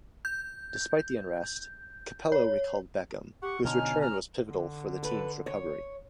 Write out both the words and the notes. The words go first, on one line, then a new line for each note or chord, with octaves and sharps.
Despite the unrest, Capello recalled Beckham, whose return was pivotal for the team's recovery.
G6
C#5
G4 F#5 C#6
B2 D3 C#4 D#4 G#5 F6
C#4 A#5 F6
D3
A4 B4
C#5